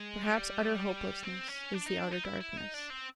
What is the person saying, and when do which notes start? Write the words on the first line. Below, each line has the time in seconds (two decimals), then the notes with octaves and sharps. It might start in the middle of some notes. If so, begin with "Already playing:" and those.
Perhaps utter hopelessness is the outer darkness.
Already playing: G#3
0.23 G3
1.24 C4
1.49 C#4
1.74 D4
1.86 D#4
1.99 D4
2.11 D#4
2.24 E4
2.40 E4
2.57 D#4
2.74 D4
2.90 C4